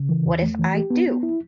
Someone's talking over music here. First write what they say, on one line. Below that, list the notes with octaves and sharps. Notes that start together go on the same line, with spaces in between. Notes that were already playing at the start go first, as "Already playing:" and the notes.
What if I do!
Already playing: C#3
E3
E2
A3
E3
G4
B3
B3
E4